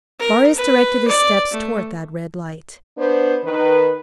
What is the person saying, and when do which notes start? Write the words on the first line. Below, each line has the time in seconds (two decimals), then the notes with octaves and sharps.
Marius directed his steps towards that red light.
0.19 A#4
0.56 B4
1.08 D5
1.51 A3
2.96 B3 D4 C5
3.42 D#3 B4